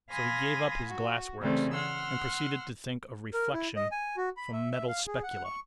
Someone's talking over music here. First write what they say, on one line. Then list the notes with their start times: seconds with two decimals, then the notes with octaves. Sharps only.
So he gave up his "glass works"; and proceeded to think of reflexion from metal specula.
0.11 F5 G#5 B5 C6 D#6 A#6
0.88 F#4
1.40 C#3 E3 G3 A3 C4
1.75 F#5 C6 E6 F6
3.33 A#4
3.53 E4
3.76 D#5
3.92 G#5
4.17 F#4
4.37 B5
4.53 E5
4.72 E5
4.88 F5
5.07 G#4
5.23 F#5
5.45 C#6